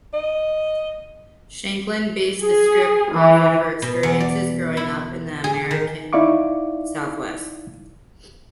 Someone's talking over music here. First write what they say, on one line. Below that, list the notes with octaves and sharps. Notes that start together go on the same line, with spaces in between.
Shanklin based the script off her experiences growing up in the American Southwest.
D#5
G#4
E3
B2
E2
D5
E4
G#4
D#3
D#4 E4 D5 F5 C#6 D6